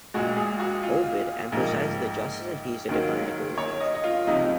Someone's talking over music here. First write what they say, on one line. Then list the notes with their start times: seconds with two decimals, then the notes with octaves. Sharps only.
Ovid emphasizes the justice and peace that defined the Golden Age.
0.14 A#1 A#2 G#3 F#4
0.37 G#4
0.60 F#4
0.83 F4
1.52 A#1 G#2 F3 A#3
2.89 D#2 D#3 F#3 A#3
3.58 C#5
3.80 D#5
3.95 D#5
4.04 F4
4.27 C#2 C3 F3 D#4